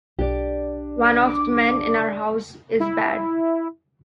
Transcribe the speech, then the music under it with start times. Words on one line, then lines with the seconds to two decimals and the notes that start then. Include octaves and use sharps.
One of the men in our house is bad.
0.19 B1 D4 G4 D5
1.27 D6
2.80 E4